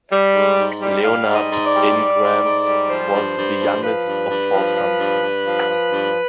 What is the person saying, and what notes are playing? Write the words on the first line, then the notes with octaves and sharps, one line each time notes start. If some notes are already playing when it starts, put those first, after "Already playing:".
Leonard Ingrams was the youngest of four sons.
G3
G#2
G#2
G3
G3 F5
G#2
D#5
G#2
D5
G3
G3
G#2
G#2
G3
F3 C5
G2
G2
F3
F3 B4
G2
G2
F3
F3
G2
G2
F3
F3
G2